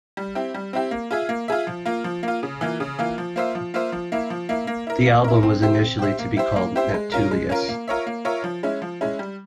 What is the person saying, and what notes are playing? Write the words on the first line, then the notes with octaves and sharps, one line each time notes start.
The album was initially to be called "Neptulius".
G3
C4 E4 G4
G3
C4 E4 G4
A#3
F4 G#4 E5
A#3
F4 G#4 E5
F3
A#3 F4
F3
A#3 F4
C#3
E3 A#3 F4
C#3
E3 A#3 F4
F3
A#3 F4 C5 E5
F3
A#3 F4 C5 E5
F3
A#3 E4
F3
A#3 E4
A#3
E4 A#4
A#3
E4 A#4
C4
G4 C5 E5
C4
G4 C5 E5
A#3
E4 G4 C5 E5
A#3
E4 G4 C5 E5
G#3
C#4 F4 A#4
G#3
C#4 F4 A#4
A#3
F4 A#4 C#5 E5
A#3
F4 A#4 C#5 E5
F3
G#3 C#4 E4
F3
G#3 C#4 E4
G3